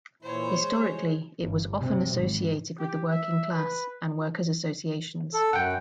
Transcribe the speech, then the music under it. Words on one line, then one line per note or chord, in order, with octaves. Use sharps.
Historically, it was often associated with the working class and workers' associations.
A#2 E3 E4 C5 C#5
G#3
G1
C3
G#1
G4
E5
B4
A4
F#2 F#5 G5